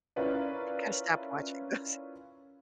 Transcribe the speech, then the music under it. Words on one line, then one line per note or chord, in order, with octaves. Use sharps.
Gotta stop watching those.
C#4 E4 F4 A#4 B4 D5